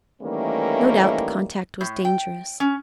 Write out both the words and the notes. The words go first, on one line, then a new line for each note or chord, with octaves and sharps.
No doubt the contact was dangerous.
D#3 E3 G3 A3 A#3 C#4
A2
G5
C#4